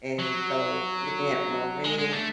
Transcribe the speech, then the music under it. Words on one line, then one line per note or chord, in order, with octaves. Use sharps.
and so, looking at my ring
F#3
G#3
G#3
A3